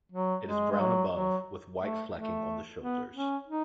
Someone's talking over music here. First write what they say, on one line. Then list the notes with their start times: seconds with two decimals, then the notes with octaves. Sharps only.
It is brown above, with white flecking on the shoulders.
0.12 F#3
0.46 G#3
0.71 G#3
0.80 F#3
1.13 F#3
1.80 A3
2.14 A3
2.80 B3
3.14 C#4
3.47 D#4